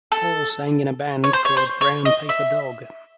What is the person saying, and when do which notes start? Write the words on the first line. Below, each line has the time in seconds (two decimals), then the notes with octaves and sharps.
Paul sang in a band called Brown Paper Dog.
0.12 A4
1.24 C#5
1.33 C5
1.45 C#5
1.57 C5
1.81 C#5
2.05 D#5
2.29 E5